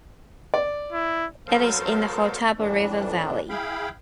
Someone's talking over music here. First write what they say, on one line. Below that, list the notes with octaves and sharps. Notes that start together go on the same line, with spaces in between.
It is in the Hautapu River valley.
D5
E4
F#3 B3 A4 A#4 C5 F5
F2 A2 E3 D4
E4 G#4 F5 G5 B5